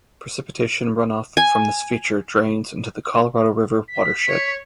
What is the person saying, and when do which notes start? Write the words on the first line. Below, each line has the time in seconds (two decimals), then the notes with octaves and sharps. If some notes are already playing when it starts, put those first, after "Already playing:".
Precipitation runoff from this feature drains into the Colorado River watershed.
1.37 G#5
3.88 B6
4.28 C#5